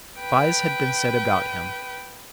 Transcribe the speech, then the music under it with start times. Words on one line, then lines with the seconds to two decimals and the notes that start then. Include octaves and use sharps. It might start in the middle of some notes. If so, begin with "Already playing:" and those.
Spies had been set about him.
0.19 B4 G5